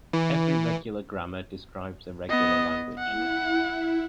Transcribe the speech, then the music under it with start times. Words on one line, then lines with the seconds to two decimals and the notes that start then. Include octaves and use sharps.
Every regular grammar describes a regular language.
0.13 E3
2.29 B3 D#5
2.99 E4 F#5